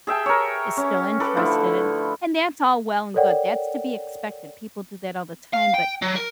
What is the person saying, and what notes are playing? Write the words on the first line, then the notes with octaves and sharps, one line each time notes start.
is still interested and and that's all well and good, that's to be expected. People do that all the time, but
G#4 E5 G5 A5
A#4 C#5
C#4
A4 B4 D6
D3 F3 A3 E4
A4 A#4 C#5 D5 F#5 G5
F5
G5
F#3
A#4